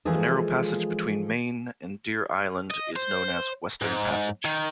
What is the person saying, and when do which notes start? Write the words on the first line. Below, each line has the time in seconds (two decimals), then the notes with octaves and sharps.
The narrow passage between Maine and Deer Island is known as Western Passage.
0.05 E3 F3 G#3 F4 G#4 A4
2.70 D#5
2.96 C5
3.82 G#2
4.45 D#3